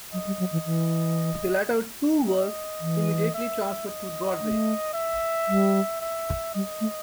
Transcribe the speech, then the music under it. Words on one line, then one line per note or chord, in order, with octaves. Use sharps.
The latter two were immediately transferred to Broadway.
F#3 D#5
G3
F#3
E3
E3
D#5
E3
E5
D#5
A3
E5
G3
E5
G3 D#5
A3